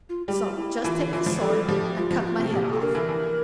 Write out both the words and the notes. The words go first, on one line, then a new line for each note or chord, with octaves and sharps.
So just take the sword, and cut my head off.'
F4
G3 G4
E4
E3 F4
D3
E4
E3 F4
F3
G3 A4
F3 G4
F4
F3
G4
F4
C3
A4
A#2 G4
A4
D3 A#4
E3
E3